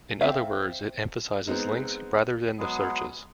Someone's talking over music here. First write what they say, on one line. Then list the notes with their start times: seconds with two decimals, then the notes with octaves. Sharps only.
In other words, it emphasizes links rather than the searches.
0.21 C4 E5 F5
1.47 G#3 B3 C4 D#4
2.59 F#3 G#3 B3 G#4